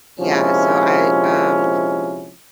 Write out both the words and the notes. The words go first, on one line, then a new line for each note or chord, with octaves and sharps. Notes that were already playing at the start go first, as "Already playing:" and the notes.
yeah, so I, um,
A#1 C3 F3 G#3 C#4 E4